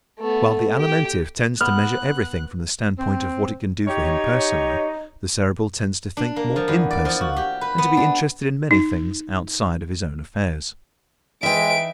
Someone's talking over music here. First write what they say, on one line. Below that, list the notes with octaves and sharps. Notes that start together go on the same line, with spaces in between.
While the Alimentive tends to measure everything from the standpoint of what it can do for him personally, the Cerebral tends to think more impersonally and to be interested in many things outside of his own affairs.
A3 B3
G4 G5
B3 F6 F#6
C4
D#4 G4 C#5
D4
A#3
F3
E2
D5
F3
F#4
G4
B4
B3
D4
D#4
E3 G#3 D#4 B4 E5 G5 D7